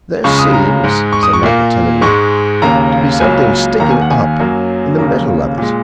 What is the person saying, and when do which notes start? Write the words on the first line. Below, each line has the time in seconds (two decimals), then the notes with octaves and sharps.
"There seems," said Michael, timidly, "to be something sticking up in the middle of it."
0.24 C#2 C#3 G#3 C#6
0.39 D#6
0.53 A#5
0.84 G#2 G#3
1.12 C#6
1.23 D#6
1.33 C#6
1.43 A#2 A#3
2.01 G#2 G#3 C#6
2.62 D#2 C#3 A#3 A#5
3.20 C#2 C#3 F#3 A#3 G#5
3.80 D#2 D#3 A#3 A#5
3.91 G#5
4.01 F#5
4.11 G#5
4.40 F#2 F#3 A#3
4.98 D#2 C#3 A#3 A#5
5.58 A#2 G#3